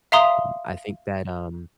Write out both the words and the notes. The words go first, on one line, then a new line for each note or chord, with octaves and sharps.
um, I think that, um
E5 F5 A#5 C6 D#6